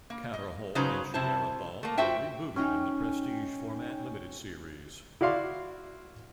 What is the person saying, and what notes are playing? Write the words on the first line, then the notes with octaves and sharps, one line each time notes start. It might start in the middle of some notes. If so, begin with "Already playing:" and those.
Katar Hol and Shayera Thal were rebooted in the prestige format limited series.
A#3
D#5
C#3 F#3 D#4 B4 C5 A#5
C3 E4 C5 A5
A3 A#3
F4 F#4 C5 E5 G5
C#4 D#4 G5 G#5
E4 F#4 D5 F5 C6